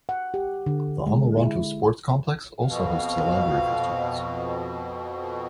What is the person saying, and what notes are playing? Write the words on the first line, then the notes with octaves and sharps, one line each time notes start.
The Amoranto Sports Complex also hosts a library for students.
F#5
G4
D3
G#3
E4
F2 B2 F5